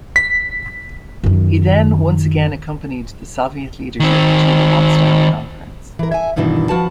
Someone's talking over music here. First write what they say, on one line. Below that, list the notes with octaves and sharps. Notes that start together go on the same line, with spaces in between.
He then once again accompanied the Soviet leadership to the Potsdam Conference.
B6
F#2 D#3
D#3 C4
E3 A#4
E5 G#5
G2 B2 D#3 E3 D4
F3 F#4 B4 A5